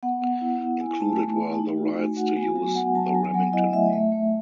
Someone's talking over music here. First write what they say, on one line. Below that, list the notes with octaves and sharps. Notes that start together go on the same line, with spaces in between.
Included were the rights to use the Remington name.
B3 F#5
B3
E4
E4
E4 G#5
A3 A5
A3
A3
D#4
F#4
A3 G#5
F#4 F#5
B3 G#5
F#3 G#5
B3 F#5
F#3 A5
F#3 G#5
G#5
F#3 F#5
E4 D#5
A3 E5
A3 E5
A3